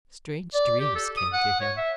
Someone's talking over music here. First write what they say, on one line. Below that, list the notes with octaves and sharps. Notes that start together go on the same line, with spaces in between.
Strange dreams came to him.
D5
G4
A4
D#6
F#5
C#5
E5